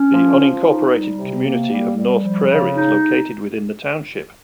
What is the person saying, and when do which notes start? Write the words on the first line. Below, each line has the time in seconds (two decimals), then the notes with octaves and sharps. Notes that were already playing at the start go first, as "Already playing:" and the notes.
The unincorporated community of North Prairie is located within the township.
Already playing: C#4
0.11 F3
0.39 F3
0.65 D#4
0.91 G3
1.17 C3
1.44 A#3
1.71 G3
1.96 G3
2.23 F3
2.49 C#3
2.76 D#4